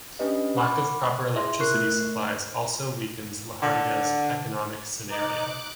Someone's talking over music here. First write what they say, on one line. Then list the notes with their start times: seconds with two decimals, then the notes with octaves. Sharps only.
Lack of proper electricity supplies also weakens Lohardaga's economic scenario.
0.19 C#4 D4 G4 B4 D#5
0.57 F#5 B5 C#6 D6
1.35 E4 G#4 E5 C6 A#6
1.60 E4 A#4 C#6 F#6 C7
1.74 A3
3.62 D3
5.10 D#4 D6 F#6